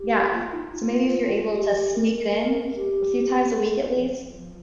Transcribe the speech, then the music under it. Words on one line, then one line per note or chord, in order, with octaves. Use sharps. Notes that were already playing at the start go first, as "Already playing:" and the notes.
yeah, so maybe if you're able to sneak it in a few times a week at least.
Already playing: G4
F4
D#4
F4
G4
G4
A#4
G4
F3
F3